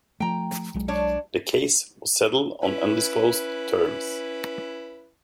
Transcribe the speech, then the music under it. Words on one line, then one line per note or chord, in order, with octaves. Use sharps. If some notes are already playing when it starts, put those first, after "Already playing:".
The case was settled on undisclosed terms.
F3 A3 G5 A#5
B1 F#3 G#3
D4 C#5
C#4 E4 B4